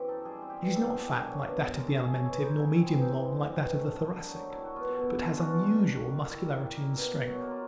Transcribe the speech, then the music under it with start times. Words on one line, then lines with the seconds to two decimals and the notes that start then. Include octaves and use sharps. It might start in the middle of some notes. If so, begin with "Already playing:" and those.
It is not fat like that of the Alimentive nor medium long like that of the Thoracic but has unusual muscularity and strength.
Already playing: F#2 E3 C4 G4
0.08 D#4 A4
0.25 G3 G#4
0.42 C4
0.50 G4
0.59 E3
0.75 B3 A4
0.85 G#4
0.92 D#3 G4
1.05 D4 G#4
1.25 F#3
1.43 B3
1.59 D#3
1.75 G#3 A#4
1.87 C3 A4
2.00 G#4
2.08 C#4
2.25 E3 E4
2.42 G#3 D#4
2.59 C3 E4
2.75 C4 E4
2.92 E3
3.01 D#4
3.08 E3
3.25 G#3
3.42 C4
3.59 E3
3.75 A3
3.93 D#3
4.09 D4
4.26 F#3 D#4
4.43 A3
4.51 E4
4.59 D#3
4.65 F#4
4.76 B3 F4
4.93 B2
5.01 E4
5.09 D4
5.26 G#3 F4
5.38 B3 F#4
5.49 F4
5.59 B2
5.75 A#3
5.92 D#3
6.09 D#3
6.25 G3 E4
6.42 A#3
6.60 D#3
6.76 A#3
6.93 B2
7.10 B2
7.27 F#3
7.42 A#3
7.51 F4